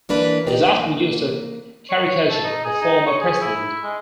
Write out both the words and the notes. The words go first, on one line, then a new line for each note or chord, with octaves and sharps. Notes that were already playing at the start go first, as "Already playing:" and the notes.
It is often used to caricature the former president.
E3 A#3 D4 B4
D#4 G4
A#3
C#5
A4
D#4
G#4
D#4
C#5
G#4
E4
G#3